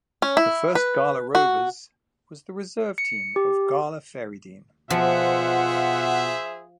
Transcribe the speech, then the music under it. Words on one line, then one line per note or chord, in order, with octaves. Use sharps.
The first Gala Rovers was the reserve team of Gala Fairydean.
C#4
E4
B4
F#4
C#7
G4
B2 F3 F4 G#4 C5 E5 F#5